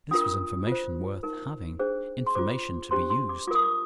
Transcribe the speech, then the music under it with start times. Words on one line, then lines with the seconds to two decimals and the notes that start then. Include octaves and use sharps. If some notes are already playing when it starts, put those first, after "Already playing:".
This was information worth having--information to be used!
0.11 D4 F4 A#4 D#6
0.67 F4 C5
1.23 D#4 A#4
1.79 D4 G#4 C5
2.27 C6
2.35 F4 C5 D6
2.91 D4 G4 C5 C6
3.10 C6
3.29 D6
3.47 F4 D6
3.51 A#4 D#6
3.63 D6